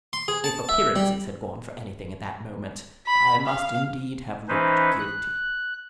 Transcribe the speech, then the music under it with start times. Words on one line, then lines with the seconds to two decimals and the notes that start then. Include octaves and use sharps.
If appearances had gone for anything at that moment I must indeed have looked guilty.
0.13 C6
0.28 G#4
0.44 A5
0.69 E5
0.96 G3
3.07 B5
3.46 F5
4.49 E3 C#4 D#4 B4 C5
4.99 F#6